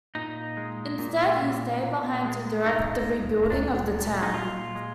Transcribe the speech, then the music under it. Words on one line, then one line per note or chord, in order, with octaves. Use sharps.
Instead, he stayed behind to direct the rebuilding of the town.
A#2 D#4
G#3
A#2
A#2
A#2
G#3
G#3 D#4
A#2
A#2 D4
A#2
D#4
A#2 F4
G#3